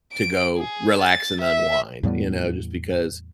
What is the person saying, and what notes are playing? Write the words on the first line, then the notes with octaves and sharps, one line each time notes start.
to go relax and unwind, you know? Just because
D7
G#4
A6
E5
E2 A2 G3 B3